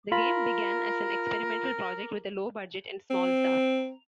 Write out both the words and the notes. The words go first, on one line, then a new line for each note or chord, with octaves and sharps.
The game began as an experimental project with a low budget and small staff.
F4 A#4 B5
C4